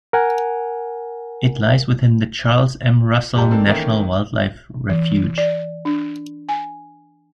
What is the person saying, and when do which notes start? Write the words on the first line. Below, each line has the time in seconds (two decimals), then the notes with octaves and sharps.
It lies within the Charles M. Russell National Wildlife Refuge.
0.13 A#4 F#5 G#5
3.36 G#2 G3 G4 A5 A#5
3.51 A#3 C4 D4 A4
3.66 D#3 E3 A3 A#3 C#4 D#4
4.89 E3
5.38 D5
5.85 D4
6.49 G#5